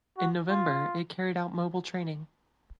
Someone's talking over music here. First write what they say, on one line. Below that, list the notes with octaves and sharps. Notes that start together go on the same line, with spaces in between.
In November it carried out mobile training.
F#4
F4